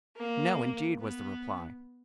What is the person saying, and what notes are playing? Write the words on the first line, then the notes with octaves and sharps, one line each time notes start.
"No, indeed," was the reply.
A#3
B3